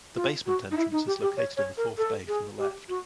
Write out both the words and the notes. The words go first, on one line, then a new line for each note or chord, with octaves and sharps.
The basement entrance is located in the fourth bay from the left.
F4
F#4
D#4
E4
D#4
G4
G4
C#5
C#5
A#4
A4
G#4
G4
F#4